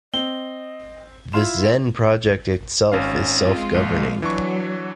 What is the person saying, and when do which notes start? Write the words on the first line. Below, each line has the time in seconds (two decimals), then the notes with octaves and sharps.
The Xen project itself is self-governing.
0.14 C4 D#5 G7
1.33 E4 F4 C6 E7
2.92 G#1 C#4 F5
3.38 G#3 C4 F4
3.74 A#1
4.22 E3 F#3 D4 C#6